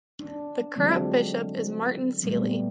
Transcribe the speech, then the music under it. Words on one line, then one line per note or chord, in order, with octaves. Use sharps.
The current bishop is Martin Seeley.
D4
D3 F3 F#3 G#3 C4 D4
A#2 G3 A3 B3